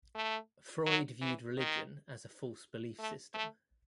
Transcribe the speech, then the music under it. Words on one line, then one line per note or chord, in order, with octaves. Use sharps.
Freud viewed religion as a false belief system.
A3
F#3
E3
D#3
A3
A3